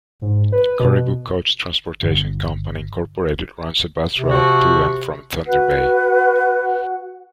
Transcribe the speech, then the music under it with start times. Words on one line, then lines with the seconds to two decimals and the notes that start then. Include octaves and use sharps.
Caribou Coach Transportation Company Incorporated runs a bus route to and from Thunder Bay.
0.21 G#2
0.52 B4
0.80 B2
2.03 G1
4.17 C3
4.32 F3 C4 F#4
5.47 F#4 B4 F#5